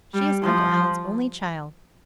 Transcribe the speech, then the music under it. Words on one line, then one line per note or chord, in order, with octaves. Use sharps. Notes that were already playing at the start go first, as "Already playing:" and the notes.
She is Uncle Allan's only child.
G3
F3